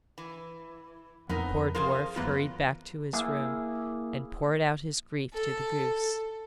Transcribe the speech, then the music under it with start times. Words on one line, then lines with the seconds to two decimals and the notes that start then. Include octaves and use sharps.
The poor dwarf hurried back to his room, and poured out his grief to the goose.
0.18 E3
1.29 F2 B3 D#4 A#4
1.75 F3 F4 G#4 A#4 C5
2.16 F#2 E3 A#3 B3 F4
3.13 A#3 E4 G#4
5.33 A4